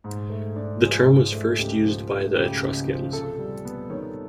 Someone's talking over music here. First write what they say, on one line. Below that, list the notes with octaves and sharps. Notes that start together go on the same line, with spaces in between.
The term was first used by the Etruscans.
G#2
A3
D4
F3 G#4
G#2
A3
C#2 G4
F3
A3
C#3 G4
C#2
F3
C3 A4
G3
B3
D#3 C#5